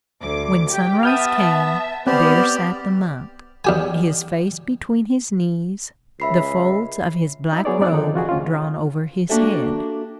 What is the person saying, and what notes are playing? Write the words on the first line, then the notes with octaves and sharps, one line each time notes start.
When sunrise came, there sat the monk, his face between his knees, the folds of his black robe drawn over his head.
D2 D6
G4 G5
B3 E5 A5 F6 G6 D#7
B3 C4 G4 C5 D5 F6
E2 G4 G#5
C#2 E5 B5 C7
D#4 E4
F#3 B3 G#4 C#5 D5
F#2 C4 D#4 D5 G#5 F#6
D#3 F3 D#4 A4
C3 F4 F#4 G#4
D2 C#4 F4
A#3 D4 F#4 G4 A4 E5